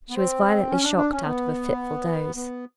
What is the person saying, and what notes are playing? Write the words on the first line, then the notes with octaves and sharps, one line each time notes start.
She was violently shocked out of a fitful doze.
B3
C4
C#4
D4
D4
C#4
B3
B3